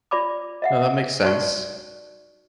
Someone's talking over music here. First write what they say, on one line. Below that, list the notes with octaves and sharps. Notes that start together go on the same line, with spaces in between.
No, that makes sense.
F4 D5 B5 D6
D#5 E5 F#5
D#4 F#4 D5 C#6